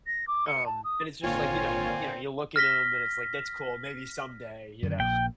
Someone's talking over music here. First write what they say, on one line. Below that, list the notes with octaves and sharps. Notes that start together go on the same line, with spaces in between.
um, and it's just like, you know you know, you look at 'em, and it's like, "That's cool, maybe someday," you know.
A#6
D6
C#7
A5
D#6
G#1 A#2 D3 A#3 C4 F4 C#5 G#5
F6 A#6 B6 G7
F#2 D3 D#3
A#1 A#3 G5